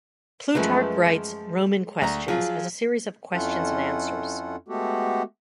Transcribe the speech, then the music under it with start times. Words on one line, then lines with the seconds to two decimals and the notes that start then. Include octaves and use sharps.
Plutarch writes "Roman Questions" as a series of questions and answers.
0.55 F#2 F3 G#3 A3 B4
2.01 D2 A#5
2.28 F3 F#3 F4 G#4
3.33 F2 C#4 E4 F4 A4 F#5
4.68 G#3 A3 B3 F#4 G4 A4